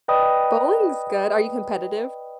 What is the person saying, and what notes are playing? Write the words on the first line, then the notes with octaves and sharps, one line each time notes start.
bowling's good. Are you competitive?
B4 D5 D#5 G5 B5 D#6